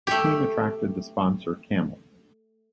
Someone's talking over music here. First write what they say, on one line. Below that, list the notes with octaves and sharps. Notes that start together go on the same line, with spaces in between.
The team attracted the sponsor Camel.
A3 G4